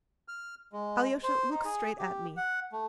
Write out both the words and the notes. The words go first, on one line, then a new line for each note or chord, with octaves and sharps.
Alyosha, look straight at me!
F6
G#3
C5
D#4
G#4
G4
F#5
A3